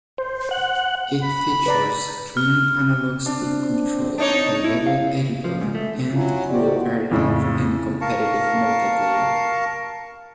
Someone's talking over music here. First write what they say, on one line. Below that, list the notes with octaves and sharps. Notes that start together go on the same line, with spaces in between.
It features twin analogue stick control, a level editor and co-operative and competitive multiplayer.
C5
F#5
B5
B4 D5 A#5
F6
C4 D4
D4 D#4 C#5
E4
F5
F3
G#2
A3
F#3 C#4 E4 F4
C3 D#3 F#4 G4 C5 D5
F2 A2 C#3
A#4 F5 A5 C#6